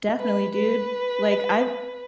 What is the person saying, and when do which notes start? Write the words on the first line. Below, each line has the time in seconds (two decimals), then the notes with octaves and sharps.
Definitely, dude. Like I've
0.18 B4
0.54 B4